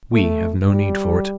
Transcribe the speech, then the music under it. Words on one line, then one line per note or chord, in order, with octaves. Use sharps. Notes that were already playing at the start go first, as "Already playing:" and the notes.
We have no need for it.
A3
G3